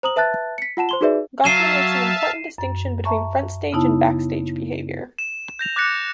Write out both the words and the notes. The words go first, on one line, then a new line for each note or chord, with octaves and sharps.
Goffman makes an important distinction between "front stage" and "back stage" behavior.
C5 A#5 D#6 F#7
B4 E5 A5 F#6 A6
B6 C#7
F4 F#5 A5 E7
C5 C6 G7
D#4 F#4 G#4 B4 D5 E5
F#3 E5 F5 A5 C7 D#7 E7
F#2
E5 A5 A#5 C#6
C#3 B3 D#4 E4 A5
E7
G6 A#6 F7
D6 F#6 G6 A6 A#6 C#7